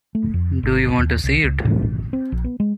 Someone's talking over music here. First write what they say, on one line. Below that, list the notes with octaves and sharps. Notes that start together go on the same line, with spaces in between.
Do you want to see it?
A3
F2
G#1
D#2
C2
C#2
A2
A1
C4
A#1
B3
G#3